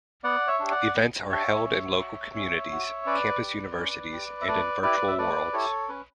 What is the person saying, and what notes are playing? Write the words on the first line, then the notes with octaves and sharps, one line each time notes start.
Events are held in local communities, campus universities and in virtual worlds.
B3 D5 F#5
C#5 E5
D4 G4
D5 F#5
B3
D4 G4 C#5 E5
C#4
F#4
C#4
F#4
C#4 B4 D5
G4
C#4
G4
E5
A3 B4 D5
E4 G4 B4 D5
E5
A3 B4 D5
E4 G4 A4 C#5
C#4 B4